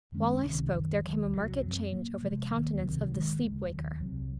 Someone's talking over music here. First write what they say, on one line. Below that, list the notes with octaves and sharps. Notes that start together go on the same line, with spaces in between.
While I spoke, there came a marked change over the countenance of the sleep-waker.
F#2 D#3 G#3 C#4
C#2 C3 D#3
F#2 D#3 F#3
D#2 D#3 F#3
C2 C3 D#3 F#3
F#2 F3 C4
A#2 F#3 A#3
C3 F3 G#3
D#2 D#3 A#3
C#2 C3 D#3 F#3
G#2 D#3 G#3
D#2 C#3 G#3
D#2 D#3 F#3
C2 C3 F#3